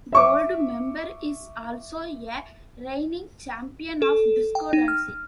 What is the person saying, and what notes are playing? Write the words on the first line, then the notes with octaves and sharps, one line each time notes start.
Goldmember is also a reigning champion of disco dancing.
E5 C#6 D6
A4
G5
D#4
F6